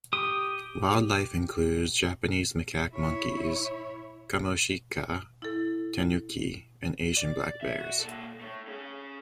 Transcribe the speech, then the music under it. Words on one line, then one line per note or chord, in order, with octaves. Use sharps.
Wildlife includes Japanese macaque monkeys, "kamoshika," "tanuki," and Asian black bears.
G4 D#6
E4 C#5
E4 A4
D5
E5
F#4
A#2 A4
A3 C#5
C#4 G#4